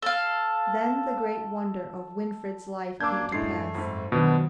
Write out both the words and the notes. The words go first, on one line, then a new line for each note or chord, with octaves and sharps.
Then the great wonder of Winfried's life came to pass.
A4 F5
F#2 A#3 D4 D6 E6 G6 G#6
A2 G#3 A3 D4 C7
F2 G#2
B2 D#3 F3 F#3 B3 D4